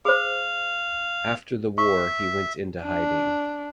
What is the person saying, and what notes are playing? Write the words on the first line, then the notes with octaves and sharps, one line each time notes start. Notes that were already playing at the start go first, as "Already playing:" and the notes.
After the war he went into hiding.
G#4 C5 F5
E5 C#6
D4